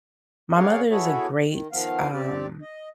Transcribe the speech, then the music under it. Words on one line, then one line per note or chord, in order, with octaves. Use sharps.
my mother is a great, um,
G#4 A#4 C#5 D5 F5 F#5
B3 E4 F#4 G#4 A4 C#5
D#3
D#3 F3 B3 F5
C4 G4 D5
D#5